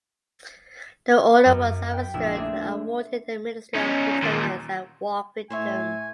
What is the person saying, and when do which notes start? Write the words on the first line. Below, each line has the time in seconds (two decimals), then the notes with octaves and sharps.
The order was administered and awarded the Ministry of Veterans and War Victims.
1.45 F#2
1.93 G5 B6
2.14 A#1 E4 E6
2.35 A3 C4 D4 G#4 E5
3.75 C#4 D#4
4.22 D#2 A#2
5.50 A2 C5 C#5 E5 G#5